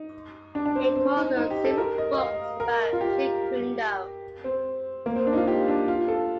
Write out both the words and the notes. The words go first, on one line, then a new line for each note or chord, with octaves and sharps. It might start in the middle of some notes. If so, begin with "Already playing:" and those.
He coauthored several books about Jeet Kune Do.
Already playing: D#4
D4
D4
C4
C4
D#4
D#4
G4
A4
A#4
D#5
D#5
F5
A#4
F4
G4
C4
A#3
C4
D4
D#4
F4
G4
D4
F4
A4